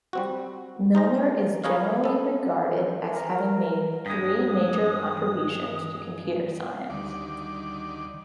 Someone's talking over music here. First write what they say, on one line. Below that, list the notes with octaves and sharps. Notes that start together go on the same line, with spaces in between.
Milner is generally regarded as having made three major contributions to computer science.
G3 C4 F#4
D#4 C5 A#5
G#4 A#4 B4 C#5 D#5 F5
B3 A4
A#4
G2 G#3 D#6
D2 D#3 G3 D5